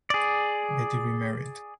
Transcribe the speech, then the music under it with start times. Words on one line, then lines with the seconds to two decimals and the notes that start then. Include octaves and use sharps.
Betty remarried.
0.10 G#4 D5